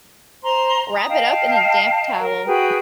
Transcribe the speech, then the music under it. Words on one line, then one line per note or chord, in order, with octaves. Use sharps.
Wrap it up in a damp towel.
C5 A#5 C6
A#5 D#6
D#5 F5 G5 A5
A#4
F#4 G#4 B4 G5